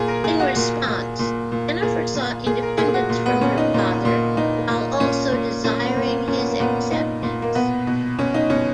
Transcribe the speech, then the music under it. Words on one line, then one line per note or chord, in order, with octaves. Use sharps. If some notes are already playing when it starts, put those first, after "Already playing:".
In response, Jennifer sought independence from her father, while also desiring his acceptance.
Already playing: A#2 G#4
A#4
A#2 G#4
F#4
A#2
A#2
A#2
A#2
A#2 G#4
A#2
A#2 G#4
A#4
A#2 G#4
G#4
F#4
A#2
B3
A#2 C#4
D#4
A#2
A#2
A#2 D#4
A#2
A#2 C#4
A#2
A#2 C#4
B3
A#2
A#3
A#2 C#4
B3
A#3
A#2 B3
A#2 D#4
A#2
A#3
B2 B3
B2
B2 C#4
D#4
B2 C#4